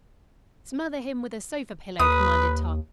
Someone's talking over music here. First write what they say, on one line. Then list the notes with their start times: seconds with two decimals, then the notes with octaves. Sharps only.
"Smother him with a sofa pillow!" commanded Tom.
1.99 D#2 B4 D#6